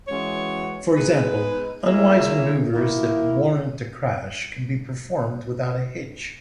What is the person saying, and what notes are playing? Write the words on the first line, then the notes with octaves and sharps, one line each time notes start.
For example, unwise maneuvres that warrant a crash can be performed without a hitch.
E3 G#3 C#4 F#4 C#5
G#3 B3 D#4 G#4 B4
A#3 E4 G#4 C#5 E5
D#3 A#3 E4 A#4